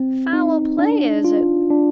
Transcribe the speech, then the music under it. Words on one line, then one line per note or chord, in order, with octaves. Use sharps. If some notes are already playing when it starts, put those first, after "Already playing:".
Foul play, is it?
Already playing: C4
D#4
D4
F4
D4